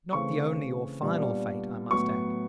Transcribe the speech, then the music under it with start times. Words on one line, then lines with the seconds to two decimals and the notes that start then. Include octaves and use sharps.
Not the only or final fate, I must add.
0.13 C#3 E3 A3 C4 C#6
1.02 A#2 G3 B3 D4
1.91 A2 F#3 B3 C#6